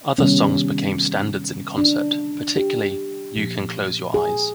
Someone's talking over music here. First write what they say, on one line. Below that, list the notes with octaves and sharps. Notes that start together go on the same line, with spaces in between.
Other songs became standards in concert, particularly "You Can Close Your Eyes".
C3 D#3 G3 B3 C#4
D4
G4
A#2 F3 A#3
G#4